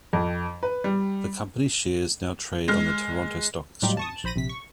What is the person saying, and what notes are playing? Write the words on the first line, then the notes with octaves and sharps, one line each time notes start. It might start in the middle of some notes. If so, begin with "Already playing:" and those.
The company's shares now trade on the Toronto Stock Exchange.
F2
B4
G3
G#3 F6
A2 F#3 G3 D#4 F4 G4
A5 C#6 D#6
A5
A#1 C5 B5 A#6 D#7
A#1 C3 B6
C#6